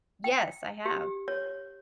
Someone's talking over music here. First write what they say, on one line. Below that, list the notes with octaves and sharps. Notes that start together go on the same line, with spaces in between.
Yes, I have.
G5
G4
C#5